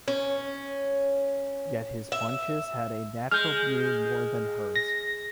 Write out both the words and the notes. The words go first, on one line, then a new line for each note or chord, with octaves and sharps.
Yet his bunches had a natural beauty more than hers.
C#4
E5
G#3 F6 G6
A#6